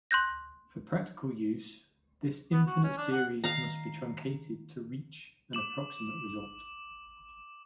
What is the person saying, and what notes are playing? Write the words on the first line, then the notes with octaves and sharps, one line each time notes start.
For practical use, this infinite series must be truncated to reach an approximate result.
C6 F#6 G6 A#6
B3
F#4
C#4
D4
F#5
D#3 F5 A#5
D6 E7 F#7